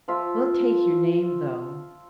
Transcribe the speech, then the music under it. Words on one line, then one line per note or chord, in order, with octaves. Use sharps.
"We'll take your name, though."
F3 F4 E5